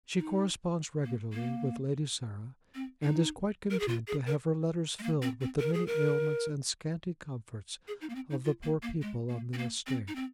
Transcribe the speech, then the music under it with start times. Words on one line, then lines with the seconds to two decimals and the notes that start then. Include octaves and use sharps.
She corresponds regularly with Lady Sarah, and is quite content to have her letters filled with the many ailments and scanty comforts of the poor people on the estate.
0.19 D#4
1.05 A#3
1.33 A#3
2.75 C4
3.03 D#4
3.71 A#4
3.80 G#4
3.88 F4
4.08 G#4
4.27 A#4
4.99 G#3
5.03 A#3
5.22 C4
5.41 C4
5.60 A#4
5.74 G#4
5.87 A#4
7.88 G#4
8.01 D#4
8.10 A#3
8.15 C4
8.30 D#4
8.44 F4
8.63 A#3
8.82 A#3
9.02 G#3
9.29 A#3
9.53 C4
9.58 A#3
9.87 C4
10.08 D#4
10.15 C4